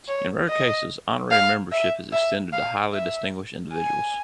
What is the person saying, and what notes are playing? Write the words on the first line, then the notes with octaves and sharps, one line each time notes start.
In rare cases, honorary membership is extended to highly distinguished individuals.
C#5
D#5
F5
E5
E5
F5
E5
G#5